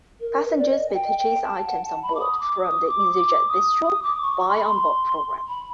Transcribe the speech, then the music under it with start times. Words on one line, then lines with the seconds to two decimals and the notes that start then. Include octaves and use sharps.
Passengers may purchase items on board from the "easyJet Bistro" buy on board programme.
0.20 A#4
0.44 B4
0.58 D5
0.69 D#5
0.89 G#5
0.93 G5
1.17 G5
1.42 A5
1.66 F#5
1.84 A5
2.02 B5
2.15 D6
2.20 D#6
2.39 D6
2.63 D#6
2.87 D6
3.12 D6
3.48 D#6
3.85 D#6
4.03 D6
4.21 C#6
4.39 C#6
4.48 C6
4.57 B5
4.65 C6
5.48 B5